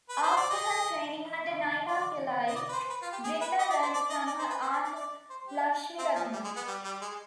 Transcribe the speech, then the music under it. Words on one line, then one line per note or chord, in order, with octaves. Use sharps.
After her training under Naina Pillai, Brinda learnt from her aunt Lakshmiratnam.
B4
C5
D5
D#5
D5
D#5
D5
B4
C5
B4
F4
G4
G#4
B4
D#5
D5
C5
D5
D#5
D5
C5
B4
C5
D5
D5
D5
C5
G4
C4
F3
G3
G#3
B3
G3
G3
G#3